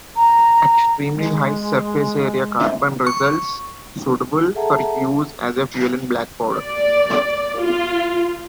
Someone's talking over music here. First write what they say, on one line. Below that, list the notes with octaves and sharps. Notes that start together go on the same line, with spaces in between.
Extremely-high-surface-area carbon results, suitable for use as a fuel in black powder.
A#5
G#3
C#6
G#4 A4 E5 F#5 A5 A#5
D5
F4